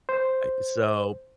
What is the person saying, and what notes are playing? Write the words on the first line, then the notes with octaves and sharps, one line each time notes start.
I so
C5